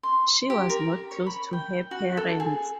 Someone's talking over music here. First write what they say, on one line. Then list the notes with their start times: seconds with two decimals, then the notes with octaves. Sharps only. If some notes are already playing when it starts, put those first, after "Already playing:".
She was not close to her parents.
0.03 C6
0.50 G4
0.69 A#4
1.11 C#5
1.26 B5
1.53 G5
1.91 F#4
2.17 A4
2.40 G#4